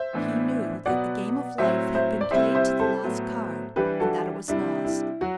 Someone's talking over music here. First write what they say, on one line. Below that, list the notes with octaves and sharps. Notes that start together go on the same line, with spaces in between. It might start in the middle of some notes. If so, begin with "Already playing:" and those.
He knew that the game of life had been played to the last card, and that it was lost.
Already playing: C5 E5
A2 E3 B3 D4
B2 F#3 B3 D5 F#5
A2 F#3 C4 E4 C5 E5
C5 E5
D5
C3 G3 C4 E4 C5 E5
C5 E5
A4 C5
A2 F#3 B3
E3 G3 D4 G4 B4
F#4 A4
C3 G3 D4 E4
E4
F#3 F#4